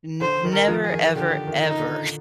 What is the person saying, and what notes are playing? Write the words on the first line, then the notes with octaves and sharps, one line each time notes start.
n never ever, ever
D3 C5
D#3
A#4
F3
G#4
D#3
D3 G4
D#3
D#4
D3